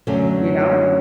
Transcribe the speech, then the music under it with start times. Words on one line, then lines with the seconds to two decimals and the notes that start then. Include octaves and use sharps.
you know?
0.07 F#2 D3 F#3 A3 C#4